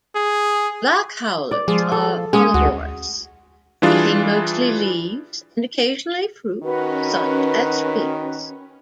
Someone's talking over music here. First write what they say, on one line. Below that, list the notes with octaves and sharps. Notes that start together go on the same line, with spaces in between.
Black howlers are folivorous, eating mostly leaves, and occasionally fruit, such as figs.
G#4
D5
F3 G#3
A4
G#3 C#4 G#4
D2 F#4
E3 G3 D4 F4 G#4
D#3 C#4 F#4 B4